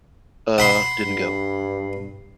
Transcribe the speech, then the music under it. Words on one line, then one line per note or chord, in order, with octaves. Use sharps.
"Uh, didn't go."
F#5 B5 C6
G2